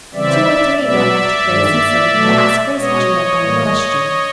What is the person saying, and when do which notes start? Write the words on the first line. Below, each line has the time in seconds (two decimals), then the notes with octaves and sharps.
Two or three ran after Grace and Sylvia to ask Grace what she meant by her question.
0.14 C#3 E3 G3 C4 D5 E5
0.79 B2 G#3 B3 D5 E5
1.44 G2 D#3 G#3
2.10 B2 F#3 A3
2.74 B2 G#3 B3 C#5 D#5
3.40 A2 E3 G3 A#3